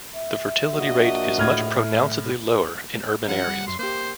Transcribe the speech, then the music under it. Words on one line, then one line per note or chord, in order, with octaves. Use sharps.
The fertility rate is much pronouncedly lower in urban areas.
E5
A#1 F#4 D#5
A2 F6 G#6
F3 C#4 F#5
G3
F#2 C6
A#3 G4 C5